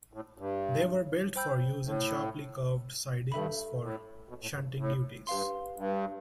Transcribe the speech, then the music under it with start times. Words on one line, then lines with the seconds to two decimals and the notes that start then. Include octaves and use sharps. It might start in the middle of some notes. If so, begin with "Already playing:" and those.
They were built for use in sharply curved sidings for shunting duties.
0.13 A2
0.38 G2
1.36 C5 G5 B5 E6 G6
1.85 A2
3.32 G2 A4 E5 B5
3.81 A2
4.29 B2
4.42 A2
4.54 G2
4.78 A2
5.27 G2 G4 B4 F5 C6
5.76 G2